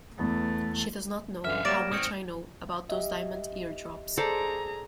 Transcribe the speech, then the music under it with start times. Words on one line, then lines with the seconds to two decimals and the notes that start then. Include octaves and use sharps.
She does not know how much I know about those diamond eardrops.
0.19 E2 A3 B3
1.45 F#2 D3 E3 E5 F5 F6
1.65 F#3 G3 A#3 D5 A#6 D7 E7
1.91 G#2 C4 C#5 D#6 F6 C#7
2.89 G4 D#5 E5
4.18 G#4 A4 C5 D5 A#5